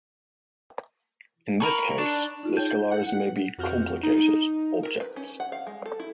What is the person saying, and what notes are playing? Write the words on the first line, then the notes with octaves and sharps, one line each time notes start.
In this case the "scalars" may be complicated objects.
A#4 B5 C#6
D4
D#4 F4 G#4
C#5 G5 A5 G6
E4 A4 F#5
F2 F#4 F6 G6
D#4
A#4
B4
C#4
F#5
F5
G#3
A4
E4